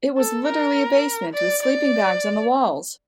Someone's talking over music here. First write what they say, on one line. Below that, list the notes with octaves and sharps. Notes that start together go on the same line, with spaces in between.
It was literally a basement with sleeping bags on the walls!
A4
A#4
D5
D5